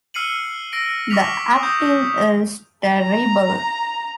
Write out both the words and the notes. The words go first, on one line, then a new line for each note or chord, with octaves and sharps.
The acting is terrible.
E6 F6 C7 C#7 D#7 F#7
E6 A#6 D7
C#6 D6 F6 A#6 B6 F7
D#6 G6
A#5